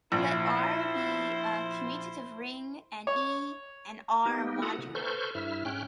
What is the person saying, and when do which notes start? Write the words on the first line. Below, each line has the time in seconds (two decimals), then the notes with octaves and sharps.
Let "R" be a commutative ring and "E" an "R"-module.
0.12 A#1 E4 C5
3.07 C#5
4.26 A#3 B3 D#4 G4
4.62 E4 F#4 A4 F#5 A#5 D#6
4.78 C3
4.95 A4 B4 C5 C#6 F6 G6
5.35 G2 E4 E5 F6
5.65 G#2 C#4 G5 F6 F#6